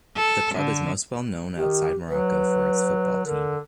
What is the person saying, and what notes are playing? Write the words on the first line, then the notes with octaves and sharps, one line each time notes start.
The club is most well known outside Morocco for its football team.
A4
D3
D#3 G4
F#3 B4
D3 A#4